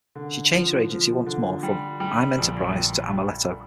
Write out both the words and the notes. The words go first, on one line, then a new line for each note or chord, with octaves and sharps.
She changed her agency once more from I'm Enterprise to Amuleto.
D3
F3
F3
D3
G3
G3
A#1
G3
G3